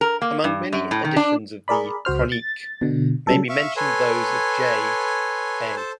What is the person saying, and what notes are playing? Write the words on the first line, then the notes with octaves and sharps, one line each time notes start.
Among many editions of the "Chronique" may be mentioned those of J.-A.
A#4
A#3
G2
F#2
A2
D#3
D4
G#4 A#4 D5 B5
C#2 F#4 C5 F6
A6
B2 D3
C#3 F#3 G3 A4
E5 F5 C#6
A4 B4 C#5 G#5 C6
A4 C5 A5